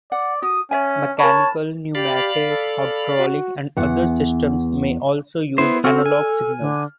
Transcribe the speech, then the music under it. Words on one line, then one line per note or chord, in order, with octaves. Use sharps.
Mechanical, pneumatic, hydraulic, and other systems may also use analogue signals.
D5 F#5
F#4 D#6
C#4 C#5 E5 G#5
A#4 C#5 A5 B5
G4 D5 F5 B5
A4
F#4
E2 F#5
B3 E4 C5
C4 F#4 A4 F6
G#5
D3